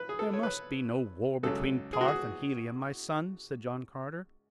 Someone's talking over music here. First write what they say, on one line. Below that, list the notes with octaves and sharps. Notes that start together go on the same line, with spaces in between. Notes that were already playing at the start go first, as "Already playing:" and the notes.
"There must be no war between Ptarth and Helium, my son," said John Carter.
Already playing: B4
G#4
A4
C#5
B4
C#2 C#3 F#3 A4
G#4
F#4
G#4